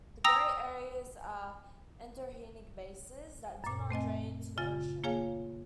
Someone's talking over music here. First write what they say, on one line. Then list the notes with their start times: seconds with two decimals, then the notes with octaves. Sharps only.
The grey areas are endorheic basins that do not drain to the ocean.
0.24 G5 A#5 D#6 E6 A#6 F7
3.64 F#2 A#2
3.90 A3 C4 D#5 G#5
4.58 C#3 F4 G#5 A6
5.04 A#3 F4 G#4 C#5 F5 G#5